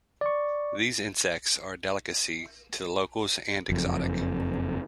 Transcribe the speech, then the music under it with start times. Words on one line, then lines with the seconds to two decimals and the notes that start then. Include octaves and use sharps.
These insects are a delicacy to the locals and exotic.
0.21 D5 C#6
3.70 F#1 F2